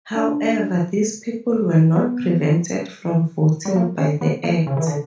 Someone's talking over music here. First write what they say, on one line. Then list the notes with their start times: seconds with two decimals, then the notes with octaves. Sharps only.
However, these people were not prevented from voting by the Act.
0.15 D4
1.96 B3
3.65 G3
3.76 A#3
3.98 C#4
4.21 B3
4.44 A#3
4.67 C#3
4.77 E3
4.87 D3